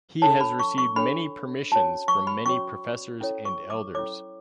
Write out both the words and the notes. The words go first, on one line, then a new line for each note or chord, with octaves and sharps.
He has received many permissions from many professors and elders.
D4 A4 C#5 A5
B5
C#6
C#6
D4 A4 C#5 B5
C#4 F#4 C#5 A5
C#6
B5
C#4 F#4 C#5 C#6
C#4 E4 A4 C#5
C#6
D6
C#4 E4 A4 C#5 D6